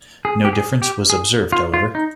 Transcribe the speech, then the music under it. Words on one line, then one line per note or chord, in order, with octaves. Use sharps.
No difference was observed, however.
G#4
G4
G#4
G4
G#4
F4
F4
D#4